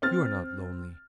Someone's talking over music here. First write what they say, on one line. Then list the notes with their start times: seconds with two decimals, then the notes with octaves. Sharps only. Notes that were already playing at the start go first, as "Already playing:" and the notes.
You are not lonely.
0.02 C4 F6 A6